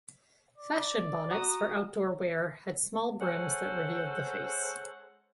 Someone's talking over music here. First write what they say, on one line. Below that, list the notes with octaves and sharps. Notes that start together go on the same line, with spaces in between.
Fashion Bonnets for outdoor wear had small brims that revealed the face.
D5
F#4 A#5 D#6
G#3 C#4 A4 C5 F#5